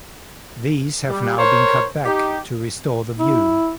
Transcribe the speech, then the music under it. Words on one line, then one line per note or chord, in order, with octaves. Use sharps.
These have now been cut back to restore the view.
G3
A#4 C5 C#5
D#4 G4
E4